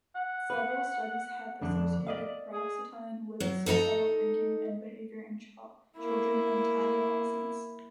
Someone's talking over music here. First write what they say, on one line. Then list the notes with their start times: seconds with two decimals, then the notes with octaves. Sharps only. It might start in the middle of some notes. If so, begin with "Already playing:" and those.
Several studies have associated paroxetine with suicidal thinking and behavior in children and adolescents.
0.15 F#5
0.50 B4
1.61 F2 D3 D4
2.07 D5 D#5 F5
2.53 G#4
3.40 F#3
3.66 D#4 A4 D#5 A#5
5.97 A#3 E4